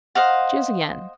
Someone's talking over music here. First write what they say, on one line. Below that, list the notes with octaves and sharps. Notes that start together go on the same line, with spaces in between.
Choose again.'
C5 D#5 F5 F#5